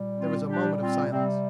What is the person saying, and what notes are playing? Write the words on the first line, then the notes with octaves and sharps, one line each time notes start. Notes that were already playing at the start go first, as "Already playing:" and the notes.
There was a moment of silence.
Already playing: A#2 G3
C4 F4
D4 G4
C4 F4
C3 G3 C4